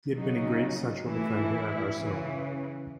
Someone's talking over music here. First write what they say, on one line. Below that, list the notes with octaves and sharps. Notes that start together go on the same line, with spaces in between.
He had been a great central defender at Arsenal.
C#3 F#3 D#4
A2 E3 E4
C#3 E3